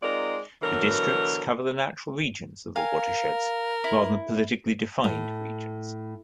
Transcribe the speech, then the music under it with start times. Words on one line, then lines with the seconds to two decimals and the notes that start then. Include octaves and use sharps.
The districts cover the natural regions of the watersheds, rather than politically-defined regions.
0.02 G#3 C4 D#4 F4 A#4 D5
0.62 B2 D3 E3 F#3 A#4
2.76 A#4 F5 G#5
3.84 E4
5.04 A2